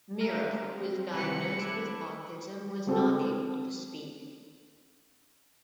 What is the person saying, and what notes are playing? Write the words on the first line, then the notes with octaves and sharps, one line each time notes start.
Mirra, who was diagnosed with autism, was not able to speak.
A#4 E5 F5
G3 C4
C3 D#3 F#3 B4 C#7
D4 E4
G#3 C4 F#4 A4